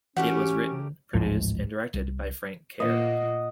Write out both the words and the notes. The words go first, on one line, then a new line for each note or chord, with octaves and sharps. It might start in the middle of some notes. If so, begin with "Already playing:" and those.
It was written, produced and directed by Frank Kerr.
E3 A3 C#4 F#4 G4 A#4 F#5
A1 D2 G#2 F3
C2
A#2 A#3 D#5 F#5